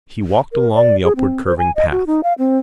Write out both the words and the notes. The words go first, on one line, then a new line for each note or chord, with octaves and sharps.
He walked along the upwardcurving path.
A#4
D5
G#4
C4
C5
G#5
D#5
F#4
D#4
F5
C4